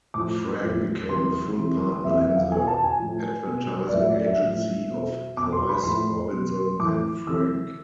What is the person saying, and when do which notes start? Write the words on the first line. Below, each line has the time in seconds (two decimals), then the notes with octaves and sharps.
Frank became a full partner in the advertising agency of Price, Robinson and Frank.
0.14 A2 F3 D6
0.62 A2 F3
1.09 C3 E3 C6
1.56 C3 E3
2.04 C3 E3 E5
2.20 E5
2.36 F5
2.52 B2 G#5
2.67 A5
2.84 G#5
2.99 A2 F3
3.47 B2
3.88 D5
3.94 A2 F3 E5
4.10 D5
4.26 E5
4.42 A2 F3
4.89 B2
5.37 B2 D6
5.53 C6
5.69 B5
5.84 A2 F3 C6
6.32 B2
6.79 A2 E3 D6
7.27 C3 E3 E6